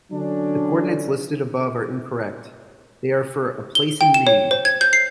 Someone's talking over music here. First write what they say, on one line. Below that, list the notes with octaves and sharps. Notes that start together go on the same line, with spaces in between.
The coordinates listed above are incorrect, they are for a place in Maine.
D3 F#3 C#4 D4
G7
G5
E7
C#5
C5
G#6
G6
C7